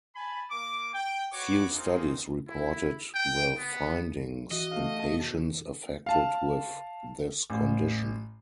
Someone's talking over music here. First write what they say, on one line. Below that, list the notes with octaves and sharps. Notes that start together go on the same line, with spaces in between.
Few studies reported the findings in patients affected with this condition.
G#5 A5 B5
A#3 D6
G5
F#4 B4 C#5 C#6 D6
A#3 C4 D#4 F4 G#4
E4
G5
B3
E3 F#4 D#5
A3 F5
A5
B2
F5 A5
A1